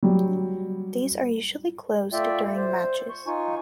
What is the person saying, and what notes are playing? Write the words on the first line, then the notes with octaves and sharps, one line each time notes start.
These are usually closed during matches.
F#3 G3 G4
A3 F4 D5 E5 G5
C5
C#6
D#4 F4 G#5 C#6